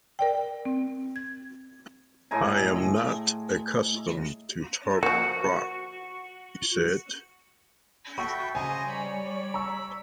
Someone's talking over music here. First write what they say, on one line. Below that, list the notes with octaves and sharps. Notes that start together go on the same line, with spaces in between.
'I am not accustomed to talk rot,' he said.
A#4 D5 G5
C4
G#6
A2 G#3 G#5 A#5
F3 A#3 F#4
F#4 A4 E5 G5 B5 C#6
C#3 C5 D#5 G#5 A#5
G3 C#5 D5 B5
A#5 C#6 E6